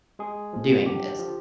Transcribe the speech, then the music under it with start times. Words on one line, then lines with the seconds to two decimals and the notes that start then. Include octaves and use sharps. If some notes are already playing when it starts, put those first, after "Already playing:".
doing this.
0.19 G#3 G#4
0.53 F3
0.85 D3 G4
1.19 F3